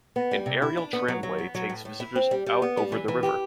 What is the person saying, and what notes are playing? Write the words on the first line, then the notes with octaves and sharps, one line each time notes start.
An aerial tramway takes visitors out over the river.
B3
G3
C3
E4
D4
B3
F#3
F#3
B3
F#3
A2
A2
E4
C4
G3
G3
B3
G3
E3
E3
G4